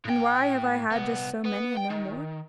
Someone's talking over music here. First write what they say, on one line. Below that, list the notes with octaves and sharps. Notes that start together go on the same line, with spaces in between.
And why have I had just so many and no more?
A2 G5
C2 B3
B3
G5
D#3